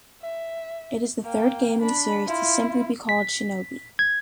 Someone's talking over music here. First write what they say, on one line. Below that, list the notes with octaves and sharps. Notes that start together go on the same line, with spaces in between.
It is the third game in the series to simply be called "Shinobi".
E5
A#3 G5
D4 B5
E4 F4
B6
G#6